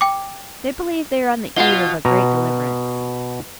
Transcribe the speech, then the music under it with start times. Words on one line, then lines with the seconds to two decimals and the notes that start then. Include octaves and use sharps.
They believe they are on the eve of a great deliverance.
0.01 G5 D6
1.56 B2 F4 F#5 G7
2.05 B2 A#5